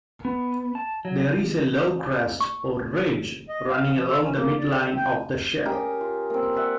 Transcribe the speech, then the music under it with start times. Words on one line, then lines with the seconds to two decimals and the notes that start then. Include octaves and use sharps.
There is a low crest or ridge running along the midline of the shell.
0.25 B3
0.75 A5
1.05 F#3
2.41 C#6
3.49 D#5
3.69 F5
3.95 F3
4.08 A4
4.23 C#4
4.35 A#3
4.59 D5
4.96 G5
5.66 C#4 G4 G#4 A#4
6.01 F4
6.30 A#3 C4
6.55 D5 E5 F#5